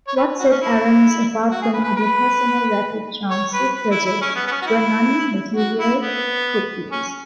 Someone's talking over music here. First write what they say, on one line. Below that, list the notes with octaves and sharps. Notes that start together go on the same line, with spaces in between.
What set Aramis apart from other personal rapid transit projects were non-material couplings.
C#5
B4
F#4
C#4
E4
F#4
G#4
B4
B4
B4
C#5
B4
B4
E4
E4
C#4
B3
B3
C#4
F#4
E4
F#4
E4
B3
C#4